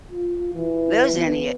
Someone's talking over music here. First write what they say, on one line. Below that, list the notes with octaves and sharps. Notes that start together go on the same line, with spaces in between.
there's any o
F4
E3
B3